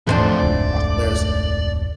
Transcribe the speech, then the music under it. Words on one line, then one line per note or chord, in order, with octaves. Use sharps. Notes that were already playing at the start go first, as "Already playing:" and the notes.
als there's
D#1 C#2 G#2 E3 F3 A3 C4 D4
E1 C#2 G#2 D5